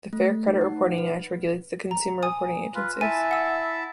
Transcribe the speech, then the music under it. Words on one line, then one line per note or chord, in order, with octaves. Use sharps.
The Fair Credit Reporting Act regulates the consumer reporting agencies.
A3
D#4
F#5
B4
A#5
G#5 D#6
F4 B4
E4 E5 G#5 A5
F#5 E6